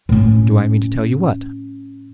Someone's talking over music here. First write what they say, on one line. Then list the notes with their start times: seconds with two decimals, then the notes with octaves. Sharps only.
Do I mean to tell you what?'
0.09 A2 C#4